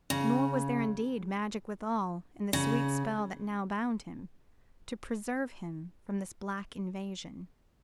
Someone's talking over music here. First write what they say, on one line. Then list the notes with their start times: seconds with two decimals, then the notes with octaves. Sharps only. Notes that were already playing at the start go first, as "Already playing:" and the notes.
Nor was there indeed magic withal, in the sweet spell that now bound him, to preserve him, from this black invasion.
0.10 C#3
2.53 C#3